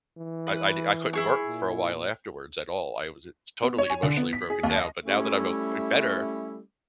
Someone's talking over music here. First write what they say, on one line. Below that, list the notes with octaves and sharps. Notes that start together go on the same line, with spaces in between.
I I di I couldn't work for a while afterwards at all I was it totally emotionally broken down, but now that I'm o better,
E3
B4
E4 G#4 C#6
A#2
B3
C#5
G#5
D3
B3
B6
G#4
D#2
D#5
G3 A3 C#4 E4 E5